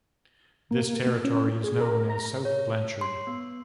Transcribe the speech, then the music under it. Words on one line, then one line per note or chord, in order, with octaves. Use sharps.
This territory is known as South Blanchard.
A#3
C#4
G#4
A#4
A#5
C#5
C6
B3